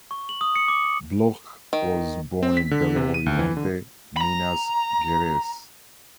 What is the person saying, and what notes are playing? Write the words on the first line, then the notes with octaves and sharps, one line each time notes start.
Bloch was born in Belo Horizonte, Minas Gerais.
C#6
F#7
D#6
C#7
D6
D6
D#3
C4
B6
D3
C3
D#7
D2
E3
D3
A#5 B5